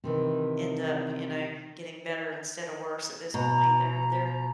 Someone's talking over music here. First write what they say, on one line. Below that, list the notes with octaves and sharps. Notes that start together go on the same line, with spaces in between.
end up, you know, getting better instead of worse at this point. They're they're
C3 D#3 E3
B2 A#5